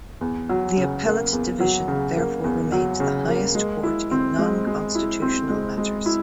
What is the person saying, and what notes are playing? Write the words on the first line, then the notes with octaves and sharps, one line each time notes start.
The Appellate Division therefore remained the highest court in non-constitutional matters.
E2
F#3
C#3
A#3
E2
F#3
C#3
A#3
E2
F#3
C#3
A#3
G#3
E4
C4
G#3
G#3
E4
C4
G#3
G#3
E4